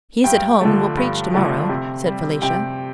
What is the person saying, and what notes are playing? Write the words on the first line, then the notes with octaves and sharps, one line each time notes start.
"He is at home and will preach tomorrow," said Felicia.
G2 G5
D3 F3 A3
G2
D3 F3 A3
C3
G3
C3 G5